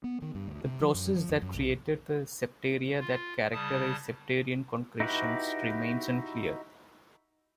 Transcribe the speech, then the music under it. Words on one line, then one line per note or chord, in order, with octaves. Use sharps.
The process that created the septaria that characterize septarian concretions remains unclear.
B3
D#3
G2
D2
C3
F3
F#2
F3
F2
F#2
B1
F4
C#3 G3 A5 D#6
D#4 E4 F#4 G4 B4